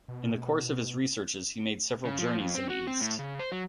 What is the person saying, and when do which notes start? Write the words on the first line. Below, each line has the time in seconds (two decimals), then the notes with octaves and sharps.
In the course of his researches he made several journeys in the East.
0.08 B2
2.05 C#3
2.19 F3
2.38 F2
2.55 C4
2.70 F#4
2.87 C4
3.01 A2
3.19 C#3
3.39 C5
3.52 F#3